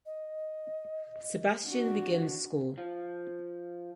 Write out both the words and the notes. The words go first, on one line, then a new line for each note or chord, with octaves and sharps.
Sebastian begins school.
D#5
D4 F#4
F3